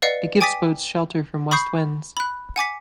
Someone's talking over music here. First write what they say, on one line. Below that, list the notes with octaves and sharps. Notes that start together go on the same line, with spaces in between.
It gives boats shelter from west winds.
B4 D5 D#5 F5 F#5 C#7
G5 G#5 D6 D#6 A6 B6
B5 C#6 D#6 G6 C7
B5 F#6
F#5 G#5 D6 B6